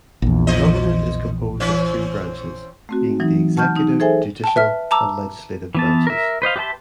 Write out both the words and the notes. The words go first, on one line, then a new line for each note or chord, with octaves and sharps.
The government is composed of three branches, being the executive, judicial, and legislative branches.
A#1 E2
E3 C5 D#5
E3 C4 C#4
A3 C4 F#4
E3 F#3 D#4
F#5 A5 C#6 F6 G6
D#4
G#4 A4 C5 E5 G5 G#5
G5 A5
B4 E5 F6
A5 A#5 D6 E6
E3 B3 A5
A#4 E5
B4 C5 D#5 F5
G4 B4 E5 A5 C6